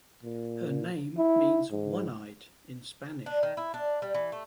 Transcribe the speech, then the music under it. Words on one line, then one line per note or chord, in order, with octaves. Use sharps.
Her name means "one-eyed" in Spanish.
A#2
E4
G#2
D4
D#3
E4
D4
G3
E3
A3